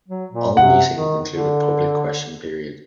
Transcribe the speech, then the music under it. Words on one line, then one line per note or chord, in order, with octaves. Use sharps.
All meetings include a public question period.
F#3
A#2
C3 F#5
D#3
D3